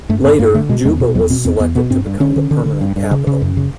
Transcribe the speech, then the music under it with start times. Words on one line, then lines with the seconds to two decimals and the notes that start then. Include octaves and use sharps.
Later, Juba was selected to become the permanent capital.
0.09 G2 A3
0.25 G2 B3
0.39 G2 A#3
0.54 D3 A3
0.69 B2 G#3
0.85 E2 G#3
1.00 B2
1.15 E2 F#3
1.30 B2 C4
1.45 E2 C4
1.60 E2 B3
1.75 B2 B3
1.90 G2 C4
2.06 G2
2.20 D3 C#4
2.36 D3
2.51 D3
2.65 D3
2.81 G2
2.96 G2
3.11 C#3
3.27 C#3
3.42 F#2
3.57 C#3